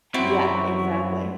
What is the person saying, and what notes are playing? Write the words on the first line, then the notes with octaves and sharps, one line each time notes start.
Yeah, exactly.
F#2 C4 E4 F#4